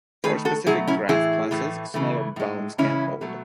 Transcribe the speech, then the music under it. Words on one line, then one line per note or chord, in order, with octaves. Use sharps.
For specific graph classes, smaller bounds can hold.
D#3 A3 G#4 B4
F#4 A4
B2 F#3 A3 E4 G#4
C#4 E4
A2 E3 A3 E4 G#4
A2 E3 A3
C#3 E3 A3
A2 G#3
C#3 E3 G#3 C#4 E4
B2 F#3 A3